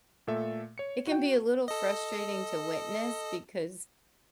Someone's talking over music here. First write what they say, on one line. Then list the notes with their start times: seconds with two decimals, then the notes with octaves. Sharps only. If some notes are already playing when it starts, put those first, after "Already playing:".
it can be a little frustrating to witness because,
0.27 A#2 A3 A4 E5
0.78 C#5 C#7
1.07 F#4 G5
1.68 A4 D#5